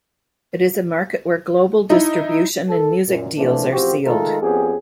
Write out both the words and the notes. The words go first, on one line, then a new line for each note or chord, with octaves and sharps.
It is a market where global distribution and music deals are sealed.
D#4 E4
A4
F#2 A#2
A#2 E3 F3 A3 B3 D4
A1 F3 C4 F#4 G4
D#3 G#3 A3 F4 A4 A#4
F2 B3 C#4 G4 G#4